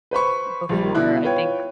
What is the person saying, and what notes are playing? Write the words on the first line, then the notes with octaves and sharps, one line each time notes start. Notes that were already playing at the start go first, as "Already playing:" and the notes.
before, I think
B4 C5 B5 C#6
A#1 G3
B2 E4 F#6
F4 B4 C#5 G5